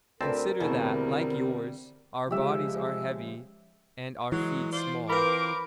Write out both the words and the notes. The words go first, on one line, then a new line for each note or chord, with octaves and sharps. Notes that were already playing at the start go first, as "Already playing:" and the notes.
Consider that, like yours, our bodies are heavy and our feet small.
D2 C4 A#4 B4 D5 A5
E2 B2 D3 G3 A3 C4 E4
C#3 F3 G#3 G4 E5
E3 F#3 G#3
F4 C5 D5
C4 F4 A#4 B4 B5 D6